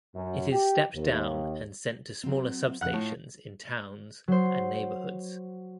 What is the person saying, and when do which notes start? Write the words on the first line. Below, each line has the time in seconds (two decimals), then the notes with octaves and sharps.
It is stepped down and sent to smaller substations in towns and neighborhoods.
0.15 F#2
0.51 G4
0.94 D#2
2.23 F#3 C4
2.81 F2 C#3 F#5 F#6
2.93 A2 F4
4.28 F#3 C5